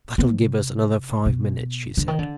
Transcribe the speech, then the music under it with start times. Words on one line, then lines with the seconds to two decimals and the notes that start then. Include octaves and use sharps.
"That'll give us another five minutes," she said.
0.18 B3
0.37 C3
1.26 B2
1.97 D3
2.08 D#3
2.19 D3